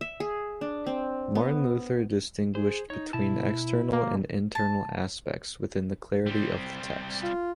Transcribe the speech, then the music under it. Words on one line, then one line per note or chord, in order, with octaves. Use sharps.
Martin Luther distinguished between external and internal aspects within the clarity of the text.
E5
G#4
D4
C4
B3
G#4 C5
D#4 C#5
B2 E4 A5
B2 A#3
A5
G3 C4
F4